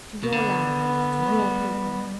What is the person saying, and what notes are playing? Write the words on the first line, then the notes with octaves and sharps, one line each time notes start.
To your land--to your people.
B2
D3 B3
A3
G3